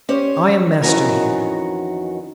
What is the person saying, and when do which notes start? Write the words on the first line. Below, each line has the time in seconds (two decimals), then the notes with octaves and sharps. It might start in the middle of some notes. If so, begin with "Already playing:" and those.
I am master here.
0.09 C#4 G4 C5 C#5
0.82 F2 D#3 E3 C#4 F#4 A#4